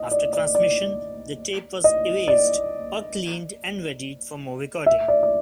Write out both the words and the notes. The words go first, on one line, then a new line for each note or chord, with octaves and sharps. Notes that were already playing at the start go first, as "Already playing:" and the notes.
After transmission, the tape was erased or cleaned and readied for more recording.
Already playing: D#5
D5
D5
D5
D#5
D5
E5
D5
D5